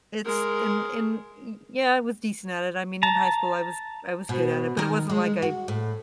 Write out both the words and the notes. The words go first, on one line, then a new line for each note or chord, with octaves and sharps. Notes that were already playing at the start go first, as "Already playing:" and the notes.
It's in in Y yeah, I was decent at it, I mean in high school I was I was good at it, but it wasn't like I,
G#3 A#4
A5 A#5
B2
D#3 A#4
G#3
F#4
A2